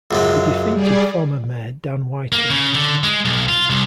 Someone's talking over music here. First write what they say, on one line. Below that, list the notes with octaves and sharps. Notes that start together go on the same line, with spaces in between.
He defeated former Mayor Dan Whitehurst.
C#2 F#2 G#3
G3 G#4 D5
A#3
C#3
D3
G#3
B1
F4
C2